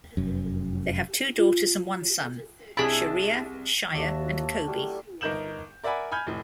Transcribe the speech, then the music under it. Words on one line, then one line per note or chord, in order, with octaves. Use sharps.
They have two daughters and one son: Sharia, Shaya, and Kobe.
F1 F#2
F4
C2 D4 E4 G#4 B5 A6
D#2 D#3 D4 F#4 E5
A2 F#3 G3 G4
G1 D#4 A#4 G6 E7 F#7
A#4 D5 E5 F#5 G#5 B5
G#5 B5 F6 G6 G#6
F1 A2